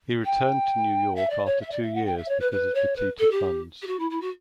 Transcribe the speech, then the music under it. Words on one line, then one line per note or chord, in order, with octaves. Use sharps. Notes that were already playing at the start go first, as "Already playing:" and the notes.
He returned to New York after two years because of depleted funds.
G5
E5
D5
C#5
E5
D5
E5
F#5
G5
E5
C#5
B4
B4
C#5
B4
A4
G4
G4
F#4
E4
E4
F#4